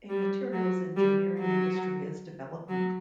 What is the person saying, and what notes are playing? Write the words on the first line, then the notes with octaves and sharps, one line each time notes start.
A materials engineering industry is developing.
G3
F#3
G3
F#3
F#3